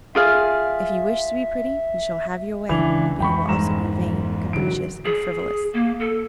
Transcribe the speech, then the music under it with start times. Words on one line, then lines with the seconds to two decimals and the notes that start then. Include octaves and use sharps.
If you wish to be pretty you shall have your way, but you will also be vain, capricious, and frivolous.
0.15 F4 G#4 E5 F5
2.69 C#2 E3 D4 F7
3.20 F2 E3 G#3 G5 B5 C#6
3.48 G#2 A#5 E7
4.53 D3 E3 F#3 D7
5.05 G#4
5.73 A#3
6.00 A4